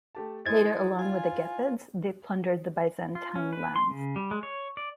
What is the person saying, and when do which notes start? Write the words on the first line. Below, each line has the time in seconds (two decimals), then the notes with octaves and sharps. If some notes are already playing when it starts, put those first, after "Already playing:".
Later along with the Gepids they plundered the Byzantine lands.
0.15 A3 G4 A5
0.46 G#3 D#4 E4 C5 G#6 A6
0.99 F4 G#5
3.15 F4
3.36 C#4
3.53 B4
3.76 C6
3.91 C#3
4.16 G3
4.31 G#3
4.43 C#5
4.77 D5